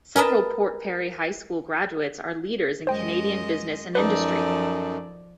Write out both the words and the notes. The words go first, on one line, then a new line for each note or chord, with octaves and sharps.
Several Port Perry High School Graduates are leaders in Canadian business and industry.
A#4 B4 D#5 A5
F#2 G#3 C5 D#5 G5
F#2 F3 D#4 A4 B4 D5